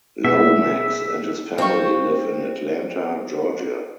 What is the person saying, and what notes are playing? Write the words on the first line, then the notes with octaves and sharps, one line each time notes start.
Lomax and his family live in Atlanta, Georgia.
B2 B3 G#4 E5
C4 F5 G5 C#6